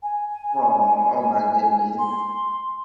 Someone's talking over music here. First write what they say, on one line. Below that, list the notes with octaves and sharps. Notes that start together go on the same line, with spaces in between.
strong oh my goodness.
G#5
C6